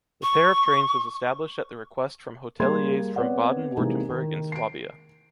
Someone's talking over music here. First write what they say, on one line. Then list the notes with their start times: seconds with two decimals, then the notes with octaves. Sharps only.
The pair of trains was established at the request from hoteliers from Baden-Württemberg and Swabia.
0.23 C#6
2.60 G3 A#3 G#4 C6 G#6
3.16 B3 C4 C#5 D5 F#5
3.77 C3 E3 G#3 A#3 D#4 G#4
4.10 D#3 D#4
4.52 C7 D7